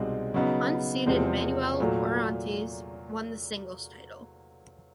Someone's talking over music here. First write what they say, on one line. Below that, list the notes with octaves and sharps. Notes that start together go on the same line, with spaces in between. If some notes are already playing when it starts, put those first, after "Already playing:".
Unseeded Manuel Orantes won the singles title.
Already playing: C2 B2 G#3 C4 D#4
C#3 F#3 B3 D#4
E2 C3 F3 G#3 C4
A#2 F#3 A3